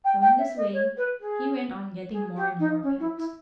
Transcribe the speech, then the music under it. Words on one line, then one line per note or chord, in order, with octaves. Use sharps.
So in this way he went on getting more and more pets.
G5
G5
E5
D#5
C#5
B4
G#4
G#4
G4
D#4
C#4
E4
E4